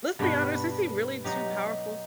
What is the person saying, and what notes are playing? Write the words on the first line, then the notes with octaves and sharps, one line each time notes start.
let's be honest is he really too powerful?
G2 B2 B3 D4 G4 B5
F#3 D#4 G4